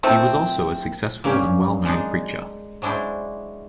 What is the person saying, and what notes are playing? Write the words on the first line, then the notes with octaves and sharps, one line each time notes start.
He was also a successful and well known preacher.
D#3 F3 A3 C4
G2 A#3 C#4 G4
G#3 D4 D#4
F#3 G#3 D4 E4 C5